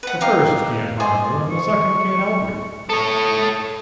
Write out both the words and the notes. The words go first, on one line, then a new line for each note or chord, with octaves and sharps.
The first can't harm you and the second can't help you.
B4 F#5
D#4 F5 G5 D6
G#4 C5 D5 D#5
C#6
A4 C#5 D#6